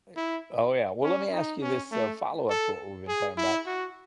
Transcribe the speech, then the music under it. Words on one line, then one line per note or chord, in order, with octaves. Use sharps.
Eh Oh yeah, well, let me ask you this, uh, follow-up to what we've been talking about,
E4
C#4
D#4
C#4
A3
A4
G#4
E4
F#4